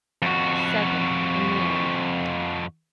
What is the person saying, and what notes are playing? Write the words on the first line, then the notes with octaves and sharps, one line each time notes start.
Seven, in the end.
F2 F#4